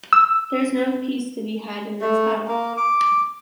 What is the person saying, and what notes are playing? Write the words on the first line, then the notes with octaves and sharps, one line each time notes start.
There’s no peace to be had in this house!
E6
A3
A#3
D6